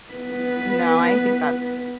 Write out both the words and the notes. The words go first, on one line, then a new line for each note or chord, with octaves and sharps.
No, I think that's
B3 B4